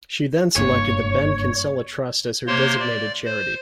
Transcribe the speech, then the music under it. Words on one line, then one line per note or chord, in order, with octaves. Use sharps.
She selected the Ben Kinsella Trust as her designated charity.
F#1 G2 A#3 C#5
C3 A#3 C5 C#5 C6
D5
C5